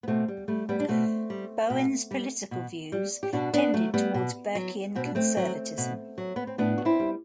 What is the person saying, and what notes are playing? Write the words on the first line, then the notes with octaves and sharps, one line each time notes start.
Bowen's political views tended towards Burkean conservatism.
B3
B2 A3 C4
G3
G3 A3
G3 B3
D4
B2 A3 C4
G3
B2
G3
B2
G3
G4
B2 D4 F#4
B3 D4
F#3 A3
G3 B3
B2
F#3
B2 C4
D4
A3 C4
F#3
B2
F#3
B3
C4
A2 B3 D4
F#4
C4 E4
G3